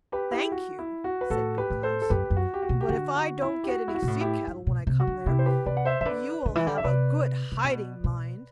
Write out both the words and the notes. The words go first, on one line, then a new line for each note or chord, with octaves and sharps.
'Thank you,' said Big Klaus; 'but if I don't get any sea-cattle when I come there, you will have a good hiding, mind!'
G4 B4
E4 G4
F#4
E4
F#4
B4
A2 F#4 A4
G4 B4
A2
A4 C5
A4
F#2 G4 B4
F#2
F#4
G4
F#4
B2
G4
D3 F#4
F#4
E4
G4
F#4
E4
F#4
B2
A2
E4 G4
G2
B2
C3
F#4
D3
C3 E4 G4
C5
G4 B4
C3 B4 D5
F#5
C5 E5
E3 E5
D3 B4 D5
D3
E3
D3
E5
C3 B4 D5
C3
B2
B2